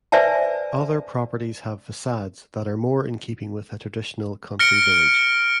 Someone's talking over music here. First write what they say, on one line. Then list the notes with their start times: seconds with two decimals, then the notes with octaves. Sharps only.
Other properties have facades that are more in keeping with a traditional country village.
0.12 B4 C5 D5 E5 G#5 A5
4.59 F6 A#6 C#7 D7 G7